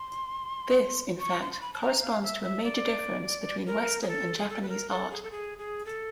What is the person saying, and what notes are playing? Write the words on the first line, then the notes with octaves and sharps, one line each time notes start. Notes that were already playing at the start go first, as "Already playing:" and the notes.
This, in fact, corresponds to a major difference between Western and Japanese art.
Already playing: C6
C#6
C6
C6
B5
A5
A#5
F5
E5
E5
D5
A#4
G#4
A4
G#4
A4
B4
A#4
A4
G#4
A4
G#4
G#4
A4